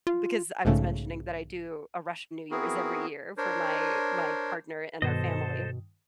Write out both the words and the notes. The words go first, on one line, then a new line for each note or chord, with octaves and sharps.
because I was mentioning that I do a Russian New Year, is every year for my my partner and our family,
F4
B1 G#2 C#3 A3
B3 C4 E4 F#4 G#4 A#4
D4 A#4 C5 C#5
G2 B2 D#3 A4 C5 D#5